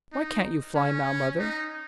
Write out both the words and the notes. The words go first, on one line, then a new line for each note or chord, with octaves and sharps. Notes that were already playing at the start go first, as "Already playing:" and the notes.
"Why can't you fly now, mother?"
D#4
C#4
D#4